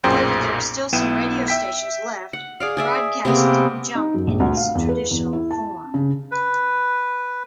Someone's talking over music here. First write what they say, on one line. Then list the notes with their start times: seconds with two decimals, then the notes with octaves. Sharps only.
However, there are still some radio stations left, broadcasting Jump in its traditional form.
0.04 B1 F#2 A#2 G#4 C5 G5
0.93 B1 B3 E4 G5 D#7 E7
1.48 E5 G5 B6
2.33 F#5
2.60 G#4 D5 F5
2.77 G#4 D5 E5
3.25 C3 A#3 B3 G#4
3.95 D#4
4.14 F#2
4.27 A#1
4.40 D2
4.57 F5
4.75 E2
4.89 B4
5.11 E2
5.33 E4
5.51 A5
5.94 C#3
6.31 B4